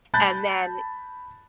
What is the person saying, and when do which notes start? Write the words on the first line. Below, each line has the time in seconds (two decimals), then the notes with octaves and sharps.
And then
0.14 A5 B5 F#6 G6 A6